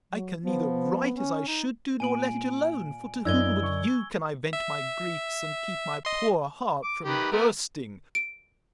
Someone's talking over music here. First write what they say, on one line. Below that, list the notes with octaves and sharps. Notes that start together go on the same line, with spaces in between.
I can neither write as I should do, nor let it alone, for to whom but you can I vent my griefs, and keep my poor heart from bursting!
F#3
F3 B3
C#4
D#4
A#2 G#5 D7 F#7
F#2 D4 E4 D5 D#5 E6 G#6 G7
C#6
E5
D#5 C6
D6
D#3 G4 B4
A3 B3 A#4
D7